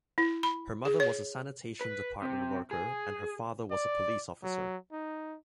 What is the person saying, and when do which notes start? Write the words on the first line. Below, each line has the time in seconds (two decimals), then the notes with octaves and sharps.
Her mother was a sanitation department worker and her father was a police officer.
0.18 E4
0.43 B5
0.85 G#4
1.00 C#5
1.81 B4
2.22 C3
2.71 G#4
3.71 D5
4.43 F#3
4.92 D#4